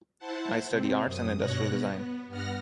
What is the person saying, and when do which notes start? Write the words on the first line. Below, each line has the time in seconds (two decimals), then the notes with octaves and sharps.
I study arts and industrial design.
0.19 E4 C5 F#5 A5
0.70 C3 C4
1.04 F#2 D#6
1.38 G2 B2 C#5 F#6 A#6
1.70 B3
2.28 G2 B3 F#5 F6 A#6